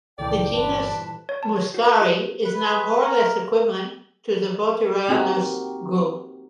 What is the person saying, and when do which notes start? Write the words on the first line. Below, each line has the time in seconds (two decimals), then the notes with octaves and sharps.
The genus "Muscari" is now more or less equivalent to the Botryanthus group.
0.19 C#2 A#2 E3 A4 D5 G5
0.52 G1 G3 B4 C5 A5
1.29 C#5
1.43 A5
1.57 C#5
1.74 F#4
2.01 F4
2.46 B4
3.01 A#4
5.08 A#3 C4 D#4 F#4 G4 A#4